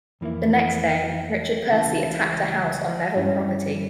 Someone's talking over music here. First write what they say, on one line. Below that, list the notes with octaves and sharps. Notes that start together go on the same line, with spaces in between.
The next day, Richard Percy attacked a house on Neville property.
F2 E3 A#3 E4
C#2 C#3 E3
G2 G3 C#4 E4